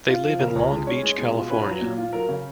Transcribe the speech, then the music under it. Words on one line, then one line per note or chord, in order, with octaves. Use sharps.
They live in Long Beach, California.
F4
F3
C#3 A#4
C#2 C#5
G#3
C#4 C#5
G#3
B2
F4
C#4 B4
F#3
A#2
F4
F#3 A#4
C#3